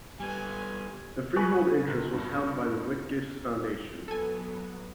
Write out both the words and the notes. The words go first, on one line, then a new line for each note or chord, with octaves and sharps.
The freehold interest was held by the Whitgift Foundation.
G3 B3 G#5
G4 B4 G#5 C#6 D#6 F#6
C#2
G2
F#3 B3 A4 G#5